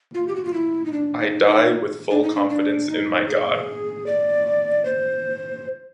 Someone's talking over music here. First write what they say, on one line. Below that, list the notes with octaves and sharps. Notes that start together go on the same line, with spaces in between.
I die with full confidence in my God.
F4
G4
F#4
F4
E4
D#4
D4
D#4
D#4
D4
D#4
D4
D4
D#4
G#4
D5
C5